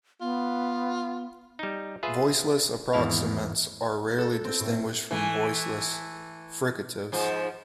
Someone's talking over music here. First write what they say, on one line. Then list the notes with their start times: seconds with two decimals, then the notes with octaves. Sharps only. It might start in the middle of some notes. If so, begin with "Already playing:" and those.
Voiceless approximants are rarely distinguished from voiceless fricatives.
0.21 B3 F4
1.59 G3 D#4
2.03 F4 G#4 B4 E5
2.93 G#1 E2 G#2 E4 F5
4.18 A4
4.32 A4
4.45 C4
4.60 A2
5.11 E3 A3
7.12 G#2 F3